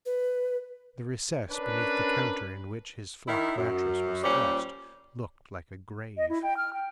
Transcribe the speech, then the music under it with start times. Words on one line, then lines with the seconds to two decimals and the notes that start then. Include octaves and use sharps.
The recess beneath the counter in which his flock mattress was thrust, looked like a grave.
0.06 B4
1.51 C#4 D4 A#4 B4
3.27 D#3 E4
3.57 F#2
4.24 A#2 F3 G3 C#4 C5
6.17 D#5
6.29 E4
6.43 G5
6.57 F6
6.73 G5